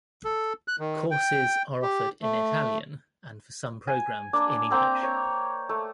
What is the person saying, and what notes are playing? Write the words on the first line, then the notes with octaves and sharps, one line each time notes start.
Courses are offered in Italian and for some programs in English.
A4
F#6
D#3
G5
G4
A3
G#5
A#3 D4
A#3 C4 G5 A#5
C#5
A3